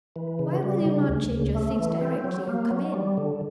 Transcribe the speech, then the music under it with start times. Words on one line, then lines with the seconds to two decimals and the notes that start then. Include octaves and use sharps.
Why will you not change your things directly you come in?
0.16 E3
0.39 C#3
0.63 G3
0.85 C#3
1.09 D2
1.32 C#3
1.55 A3
1.79 E3
2.01 C4
2.24 F#3
2.48 A#3
2.71 F#3
2.94 G3
3.17 D3